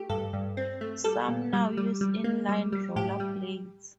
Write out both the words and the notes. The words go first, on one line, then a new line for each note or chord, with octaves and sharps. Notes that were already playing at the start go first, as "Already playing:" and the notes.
Some now use in-line roller-blades.
Already playing: A3 G4
G2 A4
G2
C4
A3
G3 A4
A#2
G3
G3
G3
A#3
G3
G3
A2 G4
G3